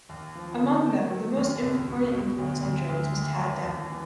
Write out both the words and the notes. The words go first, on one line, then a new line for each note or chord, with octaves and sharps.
Among them, the most important influence on Jones was Tadd Dameron.
D#2
F3
D3
D#3
F#3
D#2
C#2
B2
B2
D2
D2
D2
D#2
D#2
D#2
E3